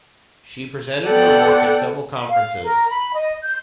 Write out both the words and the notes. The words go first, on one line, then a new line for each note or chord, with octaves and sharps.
She presented her work at several conferences.
B3 A4 D5 F#5 G5
F5
A#4
B5
D#5
G6